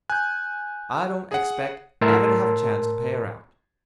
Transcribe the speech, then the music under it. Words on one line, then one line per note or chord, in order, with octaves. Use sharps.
I don't expect ever to have a chance to pay her out.
G#5 F#6 G6
G#4 F#5
A2 A#4 A5 C6 E6